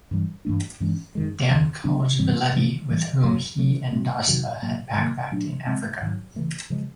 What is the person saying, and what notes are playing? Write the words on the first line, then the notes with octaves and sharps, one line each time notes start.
Dan calls Villetti, with whom he and Dassa had backpacked in Africa.
G2 E3 G3
G2 E3 A3 D4
G2 E3 G#3 C#4
F#2 D#3 G#3
E2 C#3 F3
C#3 F#3 B3 D4
G2 E3 G3 C4
C3 F3 A#3
A2 E3 G3
F#2 C#3 F#3
D3 F#3 A3 C#4
B2 G3 C4
F2 C3 D#3 F#3
A2 F#3 A#3
C3 D#3 F#3 A#3
A#2 F#3 A3 D4
C#3 F3 G#3 C4
G#2 D#3 F#3
C#3 E3 A3
C#3 F3 G#3